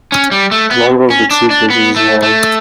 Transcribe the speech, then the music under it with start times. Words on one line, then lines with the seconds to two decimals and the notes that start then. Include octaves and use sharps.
The longer of the two bridges is long.
0.12 C#4
0.31 G3
0.51 A3
0.71 B3
1.10 C#4
1.31 D4
1.50 D4
1.70 B3
1.96 A3
2.22 A3